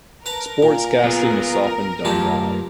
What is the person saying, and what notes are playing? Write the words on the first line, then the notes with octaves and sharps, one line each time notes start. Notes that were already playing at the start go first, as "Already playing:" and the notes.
Sports casting is often done live.
A#4 B4 A5 A#5
A#2
B3 F4 G#4
F#2 A3 F4 G4 A5